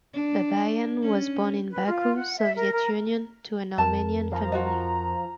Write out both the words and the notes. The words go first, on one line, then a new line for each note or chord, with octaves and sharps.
Babayan was born in Baku, Soviet Union to an Armenian family.
D4
C#4
B4
F4
F#5
E5
A#4
A#4
F2 A#4 A5
F3 F5 A#5
F4 F#4 D#5 A#5